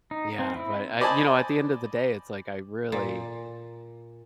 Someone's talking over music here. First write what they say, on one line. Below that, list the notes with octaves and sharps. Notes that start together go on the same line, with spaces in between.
Yeah, but I you know, at the end of the day, it's, like, I really
D#4
C4
E4
C5 D5 D#5 G#5 A5 B5
A#2